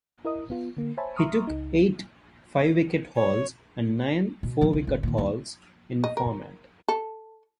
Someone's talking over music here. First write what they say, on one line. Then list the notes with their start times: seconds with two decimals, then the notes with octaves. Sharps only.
He took eight five-wicket hauls and nine four-wicket hauls in the format.
0.25 E4 A#4 D#5 D#6
0.50 B3 F4
0.77 D3 A#3
0.97 C5 C#5 E5 G#5 A5 B5
1.16 E5 A#5 C6 C#6 D#6 F6
1.47 C#2 D#4
3.15 C#5
4.43 B2
4.61 E3 F3
4.73 C2
4.87 G1
5.03 A#2 D#3
5.18 D#2
6.04 D#5
6.17 A#4
6.88 A4